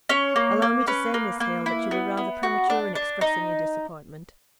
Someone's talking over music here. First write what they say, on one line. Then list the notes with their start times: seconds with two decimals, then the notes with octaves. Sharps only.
'Allow me to say, Miss Hale, that you were rather premature in expressing your disappointment.
0.09 C#4 C#5
0.36 A#3
0.62 A#3
0.88 C#4 B4
1.14 A#3
1.40 A#3
1.66 E4
1.91 B3
2.17 B3
2.43 F#4
2.70 D4
2.95 D4
3.21 D#4